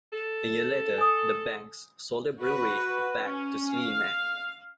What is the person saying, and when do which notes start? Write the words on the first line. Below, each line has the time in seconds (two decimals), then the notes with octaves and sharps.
A year later the banks sold the brewery back to Sleeman.
0.13 A4
0.97 G#5 D#6
2.39 F#4 B4
3.19 C#4
3.71 F5